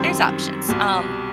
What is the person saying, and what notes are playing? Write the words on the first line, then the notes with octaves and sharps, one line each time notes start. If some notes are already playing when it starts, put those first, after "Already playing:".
there's options, um,
Already playing: F#2 D#3 G3 C4
C2 B2 G3